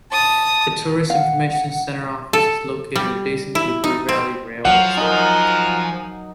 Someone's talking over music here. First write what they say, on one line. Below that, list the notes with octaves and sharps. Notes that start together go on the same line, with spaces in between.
The Tourist Information Centre office is located adjacent to the Bure Valley Railway station.
A5 D#6
F5 F#5
A4
G3
E4
D#4
C4
F3 F#3 F#5
D#4 F#4 A#4 G#5 A#5